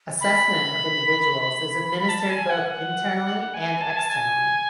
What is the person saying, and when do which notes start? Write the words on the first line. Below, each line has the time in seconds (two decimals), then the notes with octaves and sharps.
Assessment of individuals is administered both internally and externally.
0.21 B5
1.88 B5
1.98 B5
2.09 A5
2.30 G#5
2.50 F#5
2.70 F#5
3.54 G#5
3.81 A5
3.90 G#5
3.97 A5
4.10 G#5